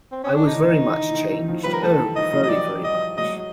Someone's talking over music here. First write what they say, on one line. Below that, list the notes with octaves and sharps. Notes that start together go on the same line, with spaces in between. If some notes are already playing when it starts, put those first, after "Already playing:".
I was very much changed — oh, very, very much.
C4
C#4
D4
D#3 D#4
E3
D#3
E3
D#3
E3
D#3
E3
D#3
E3
D#3 F3
F3 G3 B4
A#4
F3 G3 A4
D#3
E3
D#3 F3 D#5
E3 F#3
D#5
F3 G3 D5
D#5
F#3 G#3 D#5